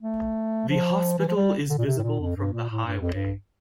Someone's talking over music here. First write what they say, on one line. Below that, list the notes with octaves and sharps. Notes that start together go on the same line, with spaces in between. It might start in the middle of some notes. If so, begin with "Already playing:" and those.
The hospital is visible from the highway.
A3
F3
E3
F3
G3
D3
A#2
C3
A2
A#2
F2
G2
A#2
A2
G2
F2
G2